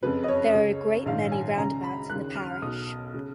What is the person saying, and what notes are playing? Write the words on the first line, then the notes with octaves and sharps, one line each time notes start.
There are a great many roundabouts in the parish.
F#1 F2 C#3 B4
D#5
C#5
C#2 C#3
A#1 G#2 D#3 F5
G#5
C#2 C#3 A#5
B5
D#2 C#3 F#6
F6
B1 B2 D#6
C#3